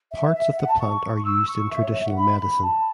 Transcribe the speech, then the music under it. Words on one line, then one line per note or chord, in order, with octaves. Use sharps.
Parts of the plant are used in traditional medicine.
E5
E5
E5
F#5
A5
C#6
C#6
E6
C#6
E5
C#5
E5
F#5
B5
B5
A5